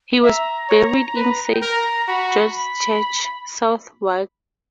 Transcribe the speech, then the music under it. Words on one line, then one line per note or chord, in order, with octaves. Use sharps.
He was buried in Saint George's Church, Southwark.
E5 A#5
C#5
B4
G5
A#4 A#5
F#4 B5
C#6
B5
A#5
B5